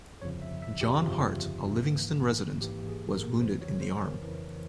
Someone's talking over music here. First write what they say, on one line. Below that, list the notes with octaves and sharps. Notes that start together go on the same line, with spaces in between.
John Hart, a Livingston resident, was wounded in the arm.
G1 F2 C#3 F3 C#5
E5
E5
G4
G1 F2 C#3 F3 F4
G#1 G#2 E3 A#3
G#1 G#2 E3 A#3 G4
G#4
A#4
F2 C#3 E3 C5
C#5
C5
A#4
F2 C#3 E3